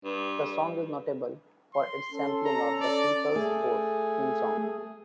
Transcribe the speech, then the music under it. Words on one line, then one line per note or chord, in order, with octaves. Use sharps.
The song is notable for its sampling of "The People's Court" theme song.
G2
C6
C#4 A4
A#5
D5
A3 G#4